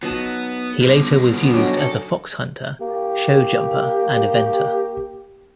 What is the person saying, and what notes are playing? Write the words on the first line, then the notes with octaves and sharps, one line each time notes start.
He later was used as a fox hunter, show jumper, and eventer.
F#3 B3 D#4 D#5 F#5 A5
B2 G3
D3 B3 C#4
D3 F#3 D4 D#4 D#5 G5
A4
A#3 G4